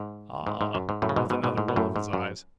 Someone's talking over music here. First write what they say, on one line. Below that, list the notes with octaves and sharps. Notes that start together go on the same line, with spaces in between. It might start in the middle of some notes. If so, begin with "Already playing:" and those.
'Ah!' with another roll of his eyes.
Already playing: G#2
G#2
G#2
F#2
G#2
F#2 A2
C#3
G#2 B2
G#2 B2
G#2 B2
G#2
B2
F#2 A2
G#2
F#2